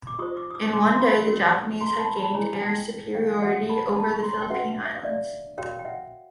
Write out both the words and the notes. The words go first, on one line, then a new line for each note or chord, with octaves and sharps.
In one day, the Japanese had gained air superiority over the Philippine Islands.
D6
F4 A4 C5 C#6 D#6
D6 E6
D#6
D6 E6
C6 D6
C6
B5 C#6
C#4 F#4 A#4 C#5
A#5 C6
A5 B5
A5 B5
E4 G#4 C#5 G#5 A#5
G#5
G5 A5
F5 G5
F#4 A#4 C#5 E5 F#5
A5 B5
A5 B5
C#6
A#5 C6
G5
C#4 F#4 B4 E5 F#5
E5
F5
D5 E5
F#4 A#4 C#5 F5 G5
G5
E5 F#5